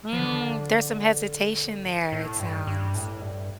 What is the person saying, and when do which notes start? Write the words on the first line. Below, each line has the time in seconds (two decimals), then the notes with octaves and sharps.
Hmm, there's some hesitation there, it sounds.
0.13 F3
0.19 D3
1.85 A2
2.12 A2
2.39 G2
2.67 G2
2.95 A2
3.21 G2